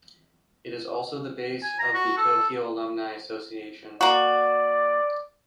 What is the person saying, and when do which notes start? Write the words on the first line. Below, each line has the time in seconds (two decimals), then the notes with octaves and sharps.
It is also the base of the Tokyo Alumni Association.
1.63 G#5
1.79 A#5
1.94 F#4
2.17 A4
4.01 A#3 F#4 D5